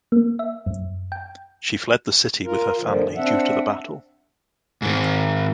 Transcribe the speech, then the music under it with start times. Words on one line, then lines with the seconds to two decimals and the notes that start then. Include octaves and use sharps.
She fled the city with her family due to the battle.
0.12 A#3
0.39 E5
0.66 F#2
1.12 G5
2.45 F4 A#4
2.79 A#2 D3 D#3 F3
3.16 C4 D4 E5 F#5
4.82 G#2 D#3